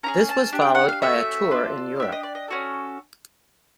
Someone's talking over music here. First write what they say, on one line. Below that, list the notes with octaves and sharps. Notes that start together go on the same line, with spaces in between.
This was followed by a tour in Europe.
C#4 E4 G#4 A#5
A5
D4 G4
G5
F#5
F5
A3 C#4 F#4 E5
D4 F4 A4
D4 G4 E5
D#5
D5
D#5
C#4 F#4 A4